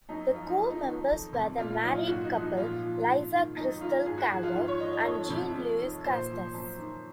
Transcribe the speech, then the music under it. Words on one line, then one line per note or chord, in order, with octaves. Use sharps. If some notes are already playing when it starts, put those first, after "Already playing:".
The core members were the married couple Lisa Crystal Carver and Jean-Louis Costes.
F#2 D#4
F3 F4
D#4
F2
D#4
D#3
F2
C3
A#2 F4
F4
F#3 D#4
F4
G#2 F#4
D#4
F3
D#4
A#2 F4
F3
G#2
D#3
F#2 D#4
D#3 F4
G#2 G#4
F#4
F3 G#4
F4
G#2 F4
C#5
D#3 D#5
D#5
F2 C#5
C3
F2
D#3
A#2 C5
F3
F#2
D#3